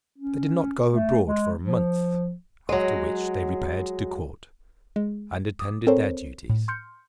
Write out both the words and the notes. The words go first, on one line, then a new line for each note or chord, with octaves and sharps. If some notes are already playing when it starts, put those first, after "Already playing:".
They did not go abroad for a month, after which they repaired to court, and attended their duties.
C#4
A3
G#3
F3
F#3 G#3
G#3
D6 D#6
C4 A4 A#4 C5 C#5
A2
C6 F6 G6 C#7